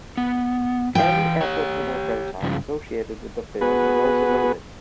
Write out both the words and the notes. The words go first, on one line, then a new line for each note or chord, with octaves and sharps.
Any applicable franchise associated with the film is also noted.
B3
E3 F5 G5
G4 C#5
G2 C#3 F3
B3 F#4 G#4 B4